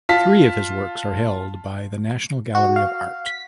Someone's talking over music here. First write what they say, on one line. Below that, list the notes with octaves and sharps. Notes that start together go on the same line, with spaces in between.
Three of his works are held by the National Gallery of Art.
F4 A5 B6
F#4
F5
B6